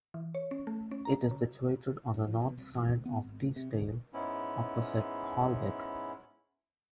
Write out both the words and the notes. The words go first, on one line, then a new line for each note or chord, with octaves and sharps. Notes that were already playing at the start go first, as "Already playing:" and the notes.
It is situated on the north side of Teesdale, opposite Holwick.
E3
C#5
C#4
A3
C#4
A#5
C#3
G2
F3
B2
C2
A1
D2
B3
G#1
D2
C3
D3
G#2 G#3 B3 C#4 E4